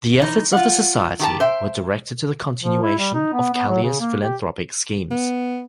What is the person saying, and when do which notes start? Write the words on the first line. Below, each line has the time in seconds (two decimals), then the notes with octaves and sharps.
The efforts of the society were directed to the continuation of Callier's philanthropic schemes.
0.21 E3 D#4
0.52 F4 F#5
1.19 D#3 G4 A5
1.40 C5 E5 G5
2.63 F3
2.83 E4
2.99 G3
3.14 D#4
3.33 B3
3.53 B3
3.68 F#3
3.83 C#3
4.00 A#3
4.21 G4
5.11 B3